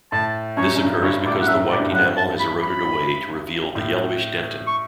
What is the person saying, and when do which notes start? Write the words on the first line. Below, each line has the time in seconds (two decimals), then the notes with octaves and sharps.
This occurs because the white enamel has eroded away to reveal the yellowish dentin.
0.12 A2 A5
0.57 F#2 C#5
0.75 F#2
0.80 G2
1.02 G2 C#5
1.26 A2 D5
1.42 F#5
1.48 F#2 E5
1.71 A2 D5
1.80 G2
1.90 F#2 F#5
1.99 G2
2.17 A5
2.40 B5
2.62 B5
3.75 A2
4.67 C#6